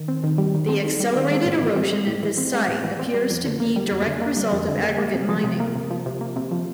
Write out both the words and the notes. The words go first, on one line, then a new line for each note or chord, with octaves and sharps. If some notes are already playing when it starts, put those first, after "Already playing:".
The accelerated erosion at this site appears to be direct result of aggregate mining.
Already playing: D#3
C4
D#3
G3
D#3
C4
D#3
G3
D#3
G#3
A2
E3
C4
G#3
A2
E3
C4
G#3
A2
E3
C4
G3
F2
D3
A#3
G3
F2
D3
A#3
G3
F2
D3
A#3
A#3
C3
F3
C3
A#3
C3
F3
C3
A#3
C3
F3